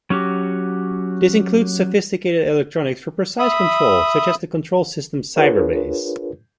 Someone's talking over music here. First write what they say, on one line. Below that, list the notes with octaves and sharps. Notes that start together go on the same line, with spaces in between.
This includes sophisticated electronics for precise control, such as the control system Cyberbase.
F#3 C#4 F#4 G4
E5 B5 D#6
D4 F4 G#4 A#4 B4 C#5